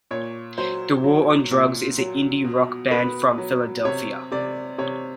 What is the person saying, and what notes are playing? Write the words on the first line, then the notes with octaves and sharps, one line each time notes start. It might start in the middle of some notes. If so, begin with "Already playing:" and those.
The War on Drugs is an indie-rock band from Philadelphia.
A#2 C#5
F#3 C5
F#3
A#2
F#3
B2
B2 B4
F#3
C3 C#5
C3 D5
C3 C#5